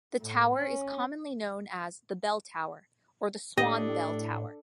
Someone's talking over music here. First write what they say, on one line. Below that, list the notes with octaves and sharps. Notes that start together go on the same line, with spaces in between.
The tower is commonly known as The Bell Tower or the Swan Bell Tower.
A2
C#4
A2 D4 G4 A4 D#5